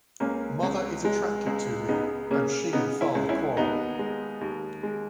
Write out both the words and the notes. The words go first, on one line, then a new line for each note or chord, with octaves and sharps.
Mother is attracted to him, and she and Father quarrel.
C#2 A#3 C#4
C#2
G#3
C#2
C#3 B3 D#4
C#3 A#3 C#4
C#3 B3 D#4
C#4 E4
C#2
C#4 E4
D#2 B3 D#4
G#3
D#2
G#3